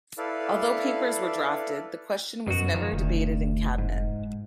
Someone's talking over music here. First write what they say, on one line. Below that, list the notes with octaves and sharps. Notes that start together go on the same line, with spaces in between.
Although papers were drafted, the question was never debated in Cabinet.
E4 A4 B4 D5 F5
F#2 B2 F#4
D#3 F3
F1 D2
G#2